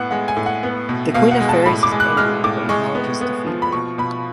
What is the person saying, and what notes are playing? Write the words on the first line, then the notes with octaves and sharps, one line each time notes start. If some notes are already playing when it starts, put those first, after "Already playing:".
The Queen of Fairies is angry but acknowledges defeat.
Already playing: A2 B3 F#5
G#3 F#5
G#5
A2
F#5
B3
B2
B2 F5
F#5
G#3
A5
A2 B5
D6
G#3
F#6
G#3 F6
A2 D6
G#3 C#6
B3
B3
F3
B5
B2 C#6
B2 B5